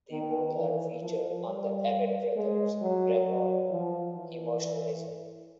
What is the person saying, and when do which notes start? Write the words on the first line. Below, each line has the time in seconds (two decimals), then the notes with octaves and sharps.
They are both featured on The Avett Brothers record "Emotionalism".
0.11 D#3
0.57 E3
1.02 F3
1.46 G3
2.36 G#3
2.81 F#3
3.27 F#3
3.71 F3
4.16 E3